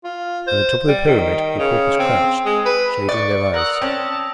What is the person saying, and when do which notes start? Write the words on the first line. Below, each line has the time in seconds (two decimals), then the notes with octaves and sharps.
On the top of the pyramid the paupers crouched, shading their eyes.
0.04 F4
0.47 C5
0.88 G3
1.07 D#3
1.59 C#3
1.99 C4
2.46 G#3
2.66 B4
3.09 D5 C#6
3.54 A#4 F#5 D#6 E6 A#6
3.81 C4 C#4 A5